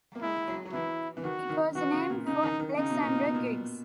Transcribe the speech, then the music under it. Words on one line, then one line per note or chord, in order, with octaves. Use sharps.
It was named for Alexander Griggs.
A#3
G#3 E4
F#3
F#3
E3 E4
E3
D#3 F#4
D#3
E3 F#4
C#3
A#2
C#3 D#4
D#3
D#3
C#3 D#4
B2
A#2
C#3
B2
A#2
B2